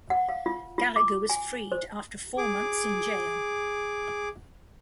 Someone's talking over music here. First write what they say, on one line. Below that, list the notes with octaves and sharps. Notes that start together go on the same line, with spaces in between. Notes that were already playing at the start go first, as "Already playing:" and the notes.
Gallagher was freed after four months in jail.
F#5
F5
F4
F4
D6
G#5
C5
G#4 D6